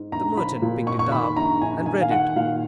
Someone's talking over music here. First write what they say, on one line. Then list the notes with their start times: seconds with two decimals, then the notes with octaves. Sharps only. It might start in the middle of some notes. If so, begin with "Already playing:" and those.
The merchant picked it up and read it.
Already playing: G#2
0.12 A#1 A#5
0.37 F3 B5
0.62 A#2
0.87 G#1 C#6
0.99 C#6
1.12 D#3 B5
1.24 B5
1.36 A#1 A#5
1.62 A#1 G#5
1.86 D#3 G#5
2.01 F5
2.11 D#3 F#5
2.36 A#2 F5